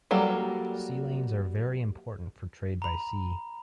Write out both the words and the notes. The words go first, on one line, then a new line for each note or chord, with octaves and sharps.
Sea lanes are very important for trade by sea.
F#3 G3 A#3 A4
A#5 B5